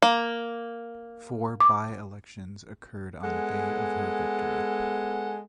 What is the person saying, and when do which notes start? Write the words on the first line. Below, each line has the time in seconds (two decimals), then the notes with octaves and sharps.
Four by-elections occurred on the day of her victory.
0.02 A#3
1.60 D6
3.23 G#3 B3 A4 F#5 G#5